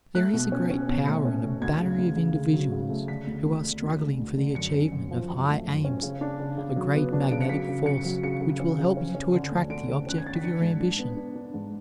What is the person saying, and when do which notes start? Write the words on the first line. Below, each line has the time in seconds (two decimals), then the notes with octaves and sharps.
There is a great power in a battery of individuals who are struggling for the achievement of high aims, a great magnetic force which will help you to attract the object of your ambition.
0.15 A3 F#6
0.33 B2
0.52 C#4
0.70 C#4
0.88 B2
1.06 A3
1.25 C#4
1.43 A3
1.62 D2 G#6
1.80 C#3
1.98 D2
2.17 C#3
2.36 C#3
2.54 F#3
2.72 C#3
2.90 A3
3.08 D3 B6
3.27 D2
3.45 D2
3.63 D3
3.82 D2
4.01 G#3
4.19 D2
4.38 D3
4.55 F#2 C#7
4.74 C#4
4.92 F#2
5.11 F3
5.29 F#2
5.48 A3
5.66 F#2
5.85 C#4
6.03 C#3
6.21 D4
6.40 C#3
6.58 C#3
6.76 F#3
6.95 B3
7.13 D4
7.31 C#3 D7
7.41 C#7
7.49 F#3 B6
7.69 C#3
7.86 C#3 C#7
8.05 F#3
8.23 C#3 C#7
8.41 C#3
8.60 C#4
8.78 C#3
8.97 C#4
9.15 C#4
9.34 D3
9.52 D2
9.70 D3 D7
9.88 C#4
10.07 C#4 F#6
10.18 G#6
10.25 D3 A6
10.35 B6
10.44 D4 C#7
10.62 G#2
10.80 D4
10.99 B3
11.17 D4
11.36 D4
11.54 G#2